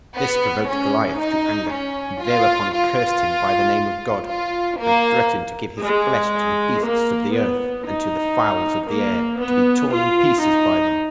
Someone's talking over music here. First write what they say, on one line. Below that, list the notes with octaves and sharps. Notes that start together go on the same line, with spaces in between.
This provoked Goliath to anger, who thereupon cursed him by the name of God, and threatened to give his flesh to the beasts of the earth, and to the fowls of the air, to be torn in pieces by them.
B3
C#4
D#4
C#4
F4
F4
F4
A#3
G#3
A#3
B3
D#4
A#3
B3
F4
D#4